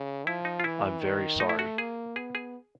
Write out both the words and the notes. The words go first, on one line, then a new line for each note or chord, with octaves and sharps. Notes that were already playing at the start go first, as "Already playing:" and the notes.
I'm very sorry.
Already playing: C#3
F3 E4
D#4
F4
E3 E4
D#3
A3 D#4
E4
F#4
A#3 G#4
B3 G#4
G#4